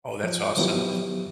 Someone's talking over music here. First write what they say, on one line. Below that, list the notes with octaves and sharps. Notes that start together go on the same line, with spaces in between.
Oh, that's awesome.
F3
D#3 F3 F#3 B3 E4 G4